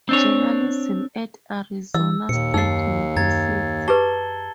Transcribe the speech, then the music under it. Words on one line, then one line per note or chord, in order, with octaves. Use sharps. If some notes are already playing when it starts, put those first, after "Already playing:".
Journalism at Arizona State University.
C4 D4 C#5
E3 D#5 E6
D#2 A#2 C#7
F#2 D#4 D#5 E6 C7
F#2 A#5 G#6 A6
G4 G#4 B4 A5 G7